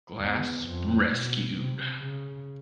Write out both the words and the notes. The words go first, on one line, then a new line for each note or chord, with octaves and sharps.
Glass rescued.
E2
F2
B2
C3
C#3